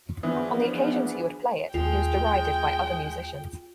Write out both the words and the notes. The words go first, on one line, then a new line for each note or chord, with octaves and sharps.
On the occasions he would play it, he was derided by other musicians.
E3 F3 B3 D4 G#4
D#2 G#3 F4 G5